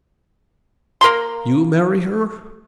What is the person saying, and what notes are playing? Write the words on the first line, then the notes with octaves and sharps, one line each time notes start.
"You marry her!"
A#3 A#4 A#5 C6